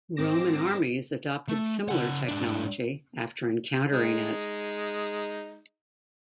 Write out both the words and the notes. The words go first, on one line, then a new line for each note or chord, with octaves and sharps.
Roman armies adopted similar technology after encountering it.
G#2 C4 D6 A#6 E7
A3
C#3 F#5
G#2 D4
G#3 D#4